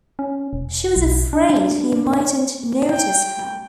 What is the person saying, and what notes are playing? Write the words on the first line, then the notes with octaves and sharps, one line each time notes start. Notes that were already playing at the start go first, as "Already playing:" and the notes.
She was afraid He mightn’t notice her.
C#4
E1
B1
D4
G5